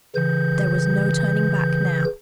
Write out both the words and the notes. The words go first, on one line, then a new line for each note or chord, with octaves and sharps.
There was no turning back now!
C#3 E3 G6